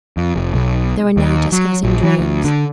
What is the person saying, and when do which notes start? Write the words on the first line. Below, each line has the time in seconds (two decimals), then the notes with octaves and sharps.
They were now discussing dreams.
0.17 F2
0.36 F1
0.54 B1
1.17 D#2
1.52 F#3
1.84 A#1
2.03 E3
2.20 D2
2.44 D3